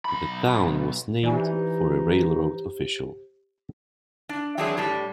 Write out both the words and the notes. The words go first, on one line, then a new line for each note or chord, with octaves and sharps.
The town was named for a railroad official.
B1 B5
E3 D#4 G4 C5 D5 G#5
D4
E3 F#3 C4 D4 G4 G#4
A2 G3 D4 A5